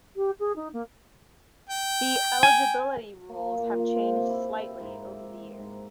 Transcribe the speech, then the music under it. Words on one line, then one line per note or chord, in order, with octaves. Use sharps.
The eligibility rules have changed slightly over the years.
G4
G#4
D#4
A#3
G5
G#5
A#3
A#2
F5
C5
C3
E4
G4
G#2
D6
G#2